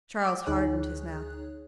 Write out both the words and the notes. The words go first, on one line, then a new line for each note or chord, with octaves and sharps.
Charles hardened his mouth.
D6
D2 D#4 G#4 C#5 F#6